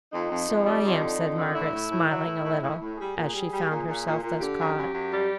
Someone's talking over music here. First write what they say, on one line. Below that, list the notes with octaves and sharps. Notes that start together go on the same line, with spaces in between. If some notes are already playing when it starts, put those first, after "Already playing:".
'So I am,' said Margaret, smiling a little, as she found herself thus caught.
F2 D#4
F2
F2
G3
F2 D#4
D3
F2
D3
A2 E4
A2
A2
F#3
A2
A2
A2
A2
G3 G#4
A#2
G3
G3
A#2
A#2
A#2
A#2
D3 G4
F#2
F#2
F#2
G3